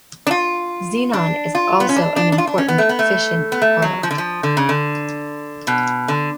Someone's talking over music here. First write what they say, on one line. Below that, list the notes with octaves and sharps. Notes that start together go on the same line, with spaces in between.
Xe is also an important fission product.
D4
F4
D4
F4
B3
C#4
D4
D4
D4
F4
D4
C#4
B3
A3
B3
A3
B3
A3
F#3
F3
D3
F3
D3
C#3
D3
B2
D3